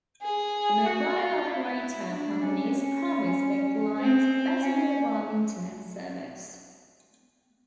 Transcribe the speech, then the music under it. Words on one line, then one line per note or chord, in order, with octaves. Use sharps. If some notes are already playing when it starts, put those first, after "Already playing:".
The mobile operator companies promised their clients better mobile internet service.
G#4
F#4
F4
E4
D4
C#4
C#4
C4
C#4